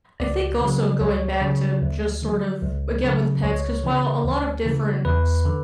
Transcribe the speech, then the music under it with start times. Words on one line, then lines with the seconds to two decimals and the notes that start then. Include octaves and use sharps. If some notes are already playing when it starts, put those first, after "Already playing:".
I think also going back to just sort of again with pets, 'cause while a lot of different s
0.20 C#2 D5
0.61 C#3 F#3
1.01 C#2 C#5
1.41 C#3 F#3
1.82 D2
2.23 D3 F#3
2.63 C#2
3.03 C#3 F#3
3.43 C#2 C#5
3.84 C#3 E3
4.25 D2
4.65 C#3 E3
5.05 E2 B4
5.45 D3